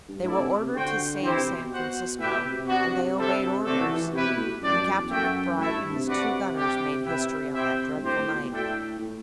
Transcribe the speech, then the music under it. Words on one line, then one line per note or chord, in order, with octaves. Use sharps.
They were ordered to save San Francisco, and they obeyed orders, and Captain MacBride and his two gunners made history on that dreadful night.
G2
A2 E4 A4 D5
C3
C3
D3 F#4 C5 G5
E3 C4 E4 G4 C5
C3
B2
F#4 C5 F#5
A2 E4 G4 B4 E5 G5
B2
C3
C3
B3 D4 F#4
G3 D4 A4 C5 E5
C3 A3 C4 F#4 A4 D5
E3
E3
C3 E4 G4 B4
B2
A2
F#2 D4 G4 D5
F#2
E2
F#2 F#4 A4 E5 G5
A2 A3 E4 A4 E5
G2
C3
C3 D4 F#4 B4 D5 F#5
G3 D4 G4
C3 E4 B4 E5 G5
E4 G4 C5 E5 G5
G2
A2 C4 G4 C5
A2
B2
A2 D4 A4 E5 G5
A2